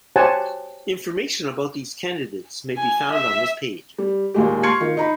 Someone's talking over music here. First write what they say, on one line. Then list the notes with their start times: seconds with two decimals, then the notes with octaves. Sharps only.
Information about these candidates may be found on this page.
0.16 G4 C5 C#5 F#5 G#5 A5
2.77 G#5
3.12 E5
3.98 G3
4.34 D#2 A#2 G#3 G4
4.63 C6 C#6 F6 G#6 C7 C#7
4.80 D#3 F4
4.97 D#4 A#5 B5